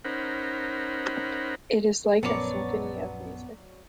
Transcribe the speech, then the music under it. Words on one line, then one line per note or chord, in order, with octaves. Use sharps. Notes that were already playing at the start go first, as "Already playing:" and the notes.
It is like a symphony of music.
C#4 D#4 A#4 C5 F#5 B5
A#1 F#2 F#3 B3 A#4 C#5 D5 A5